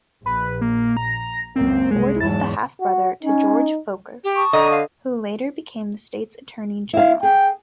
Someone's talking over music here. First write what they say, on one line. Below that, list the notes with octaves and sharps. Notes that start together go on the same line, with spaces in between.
Ford was the half-brother to George Forquer, who later became the state's attorney general.
A#1 B4
A#3
A#5
C#2 F#2 A#3 C4
C2 G#3
E2 G#2 F#3 A5
F#4
C#4 D#4
G4
A5 C#6 D#6
D3 D#5 A#5
F5
E4 F5
G#4 G5